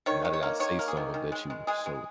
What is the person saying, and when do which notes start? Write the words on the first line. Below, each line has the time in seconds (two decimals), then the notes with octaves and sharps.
and now that I say something that you so
0.06 D#3 C#5
0.25 D#3
0.33 C#5
0.43 A#3
0.60 D#3 C#5
0.79 A#3
0.88 G#4
0.97 D#3
1.14 D#3
1.32 G#3
1.50 G#3
1.67 G#3 G#4
1.86 G#3